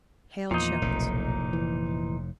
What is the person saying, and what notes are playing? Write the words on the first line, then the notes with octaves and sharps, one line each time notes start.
Hale choked.
E2 A#2 F3 D#4
F1 B1 A2
E3